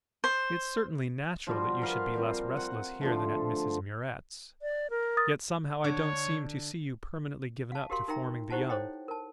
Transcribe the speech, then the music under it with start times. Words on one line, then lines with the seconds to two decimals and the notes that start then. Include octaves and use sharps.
"It's certainly natural that you should be less restless here than at Mrs. Murrett's; yet somehow I don't seem to see you permanently given up to forming the young."
0.24 C5
1.47 F3 G3 F4 F#4
1.82 A#4 B4 F5
2.14 F3 G3 C4
2.57 F#5
3.01 D3 F3 A3
4.62 D5
4.90 A#4
5.17 D#6 A6
5.84 D3 C#5
7.72 F5 A5
7.90 F#4 G4 A#4 F5 C6
8.08 D#4 A#4 E5 G5 A#5
8.50 D#4 E4 G4 C5 F#5 A5
8.69 A4 C5 C#5 D#5 G5
9.08 A#4 A5